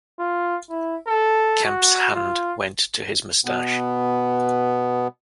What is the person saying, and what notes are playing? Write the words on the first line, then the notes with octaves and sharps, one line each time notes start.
Kemp's hand went to his moustache.
F4
E4
A4
F#4
F4
B2 B3